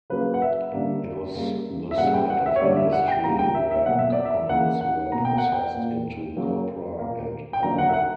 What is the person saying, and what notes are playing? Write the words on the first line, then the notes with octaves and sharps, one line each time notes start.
It was the site of industry where coconuts were processed into copra and oil.
C#3 F#3 A#3 B4
F#5
E5
D3 G3 A#3
C#3 G3 A#3
E5
C#3 G3 A#3 F#5
G5
F#5
E5
C#5
D3 G3 A#3 D5
E5
F#5
G5
C#3 G3 A#3 A#5
G5
E5
E5
B2 F#3 A#3 F#5
E5
D5
E5
C#3 E3 A#3 F#5
F#5
B2 A#3 A#5
G5
F#5
G5
A#2 A#3
C#3 F#3 A#3
A#2 A#3
G5
D3 F#3 A#3 A#5
F#5
E5
F#5